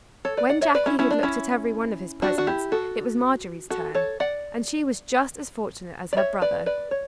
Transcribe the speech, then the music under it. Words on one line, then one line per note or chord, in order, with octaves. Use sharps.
When Jackie had looked at every one of his presents, it was Marjorie's turn, and she was just as fortunate as her brother.
A4 C#5
B4 D5
D5 F#5
C#5 E5
B4 D5
C#4 E4
C#4 E4
D4
C#4 E4
D4 F#4
F#4
E4 G4
F#4 A4
F#4 A4
A4 C#5
D5 F#5
D5
C#5 E5
B4 D5
B4 D5
C#5